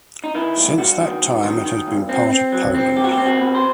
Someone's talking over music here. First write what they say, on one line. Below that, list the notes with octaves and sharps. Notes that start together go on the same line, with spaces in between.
Since that time it has been part of Poland.
D#4
D#3 E4
G2
G2 F#4
D#3
G2
D#3
D#3
G2
C4
C4
F#3
C4
C2 G4
F#4
G4
C4
F#4
B2
C5